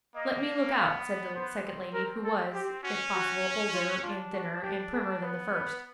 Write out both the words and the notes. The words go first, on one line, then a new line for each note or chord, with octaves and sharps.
'Let me look out,' said the second lady, who was, if possible, older and thinner and primmer than the first.
A#3 D#5
B3 F5
B3 C5
C4
A#4
A4
G4
C#4 F#4
F#4
F4
D4 F4
F#4
D4 G4
G#4
B3 B4
B4